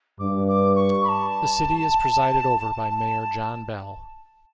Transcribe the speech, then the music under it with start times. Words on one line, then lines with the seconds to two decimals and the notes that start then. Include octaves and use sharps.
The city is presided over by Mayor John Bell.
0.19 G2 D6
0.48 D6
0.75 C#6
1.04 B5
1.08 A5
2.72 A5